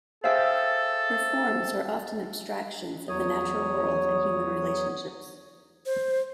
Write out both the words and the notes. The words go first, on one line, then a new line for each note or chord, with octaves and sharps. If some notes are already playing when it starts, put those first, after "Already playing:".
Her forms are often abstractions of the natural world and human relationships.
G#4 A4 C5 E5 F5 G5
E2 F#3 C#5 D#6
C5